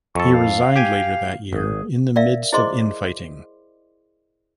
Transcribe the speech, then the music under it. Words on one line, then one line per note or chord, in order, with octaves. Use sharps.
He resigned later that year in the midst of infighting.
F2 A4 C#6
F5
G4 G5 G#5
G#1 G#4
A#4 D5 E5 F5
E4 G#4 C5 D#5 C6 D6